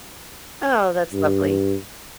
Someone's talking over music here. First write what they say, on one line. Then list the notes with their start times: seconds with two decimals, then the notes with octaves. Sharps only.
Oh, that's lovely.
1.14 G2